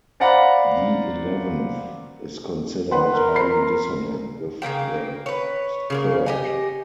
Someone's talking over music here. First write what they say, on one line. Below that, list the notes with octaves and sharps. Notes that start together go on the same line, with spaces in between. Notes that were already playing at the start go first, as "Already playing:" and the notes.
The eleventh is considered highly dissonant with the third.
C5 D5 F5 F#5 A#5 B5
D#3 B4 F#5 C6
A#4
B5 C6 C7
C#3 G3 A#3 G5
B4 C#5
C#3 G#3 A#3
G4 D#5 G#5